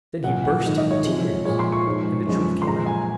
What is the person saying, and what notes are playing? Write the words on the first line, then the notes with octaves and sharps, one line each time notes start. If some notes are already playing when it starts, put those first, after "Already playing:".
Then he burst into tears, and the truth came out.
A#2 F#3 F#5
F#5
G#2 D#3 F#3
D#5
C#5
C3 F3 G#3
A#2 F3 G#3 C#5
C6
C#6
G#2 F3 G#3
F#2 F3 G#3
C6
A#2 F3 G#3 A#5
G#5